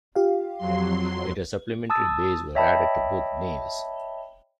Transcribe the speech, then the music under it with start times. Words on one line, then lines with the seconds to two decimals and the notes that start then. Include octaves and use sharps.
Later, supplementary bays were added to both naves.
0.15 F4 G4 F5
0.58 F2 F#3 C6
1.90 A5 D#6 E6 A6
2.55 C#5 D#5 E5 G5 A5 B5